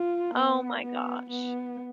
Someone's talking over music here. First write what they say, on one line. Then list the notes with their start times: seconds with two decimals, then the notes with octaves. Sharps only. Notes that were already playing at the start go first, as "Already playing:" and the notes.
Oh my gosh.
Already playing: F4
0.35 B3
0.83 B3
1.30 B3